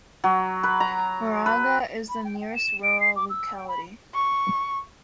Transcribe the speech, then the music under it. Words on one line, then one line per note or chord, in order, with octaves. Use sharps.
Maraga is the nearest rural locality.
F#3
B4
A#5
B4
B5
G5
G5
E7
D7
C7
D6
E6
G5
B5
C#6